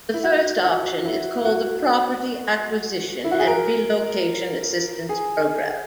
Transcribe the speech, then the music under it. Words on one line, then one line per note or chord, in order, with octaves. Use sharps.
The first option is called the Property Acquisition and Relocation Assistance Program.
E4
F#4
F#4
E4
F#4
E4
F#4
G#4
A#4
G#4